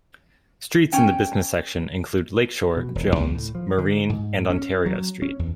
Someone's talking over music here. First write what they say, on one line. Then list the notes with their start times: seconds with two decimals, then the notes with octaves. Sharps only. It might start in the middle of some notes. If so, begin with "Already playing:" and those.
Streets in the business section include Lakeshore, Jones, Marine, and Ontario Street.
0.92 C#4 G5
2.77 B2
2.95 E1
3.16 C#2
3.34 A2
3.55 F3
3.78 D3
4.10 G#2
4.50 C#4
4.86 F#3
5.22 C#4
5.39 E2